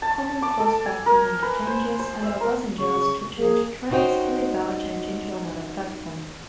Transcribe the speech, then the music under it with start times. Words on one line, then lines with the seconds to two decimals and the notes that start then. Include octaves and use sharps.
Common cross-platform interchanges allow passengers to change trains without changing to another platform.
0.02 A5
0.42 D6
0.60 A4
0.86 G#5
1.06 A#4
1.43 B4
1.67 C5
2.00 C5
2.23 E5
2.41 A#4
2.78 C#3 C#6
3.38 A#3 G#4
3.91 C#4 D#4 F#4 C5 G5